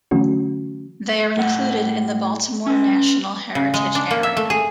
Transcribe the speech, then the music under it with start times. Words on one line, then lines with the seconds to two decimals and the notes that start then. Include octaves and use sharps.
They are included in the Baltimore National Heritage Area.
0.11 D3 E3 F#3 A3 C#4 F#4
1.37 A2 A4 F#5
2.66 C#4 B4
3.55 C#3
3.74 G#3
3.95 D4
4.11 A#3
4.23 E5
4.37 A3
4.50 G#4